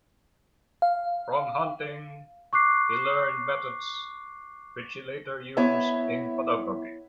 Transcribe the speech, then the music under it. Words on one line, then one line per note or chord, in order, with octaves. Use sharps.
From hunting, he learned methods which he later used in photography.
F5
C#6 D6 F#6 C7
B3 E4 C#5 E5 A5